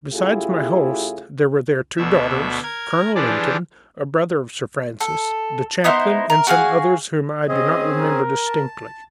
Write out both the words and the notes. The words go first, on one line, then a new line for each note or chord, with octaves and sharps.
Besides my hosts, there were their two daughters, Colonel Lynton, a brother of Sir Francis, the chaplain, and some others whom I do not remember distinctly.
C#3 A3 E4 F4 G4 G#4
D2 B2 E5
A#4 G#6
E3 F3 D4 G4 G#4 D5
A4
B3 D#4 E4 C5
A#4
F#4 G#4 F5 G#5
C4 C#4 G#4 D#5
A#4
A5